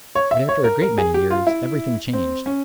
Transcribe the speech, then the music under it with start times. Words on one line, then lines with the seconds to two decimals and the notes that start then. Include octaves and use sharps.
But after a great many years, everything changed.
0.15 C#5
0.31 E5
0.49 C#5
0.64 A#4
0.82 A#4
0.98 G#4
1.14 G4
1.31 F4
1.47 E4
2.13 C4
2.46 C#4